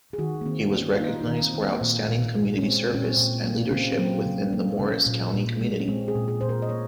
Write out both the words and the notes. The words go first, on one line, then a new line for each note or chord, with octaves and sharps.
He was recognized for outstanding community service and leadership within the Morris County community.
G#4
D#3 F#4
A#3
D#3 C4
A#3 C#4
F4
A#3 D#4
D#4
D#3
C4
D#3
C4
A#3
A#2 A#3
A#2
G#3
C#4
G#3 C4
A#2 C#4
C4
A#2
A#3
A#3
C#3 C4
C4
F#3 A#3
C#3
A#3
C#3
A#2
A#2
G#3
C#4
G#3 C4
G#4
A#2
G#4
A#2 C5
A#4
D#5
A#3 C#5